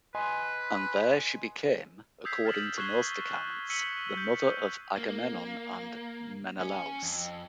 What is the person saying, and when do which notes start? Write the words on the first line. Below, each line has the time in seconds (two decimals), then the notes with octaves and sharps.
And there she became, according to most accounts, the mother of Agamemnon and Menelaus.
0.15 B4 D#5 G#5 C6
2.25 D#6 E6 G6 G#6 B6 C7
2.45 F6 A6 B6 C7 E7 F#7
2.77 C#6 F#6 G#6 C7 E7 G7
3.70 E6 B6 C#7 D#7 F#7 G7
4.17 G6
4.97 A#3
6.61 C#4
7.03 F2